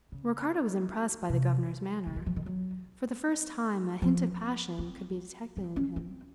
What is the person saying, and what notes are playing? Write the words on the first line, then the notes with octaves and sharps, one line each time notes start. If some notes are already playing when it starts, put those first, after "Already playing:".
Ricardo was impressed by the governor's manner; for the first time a hint of passion could be detected in him.
C#3
C3
C#3
D#3
F3
D#3
F#3
F3
C4
C4
C#4
C4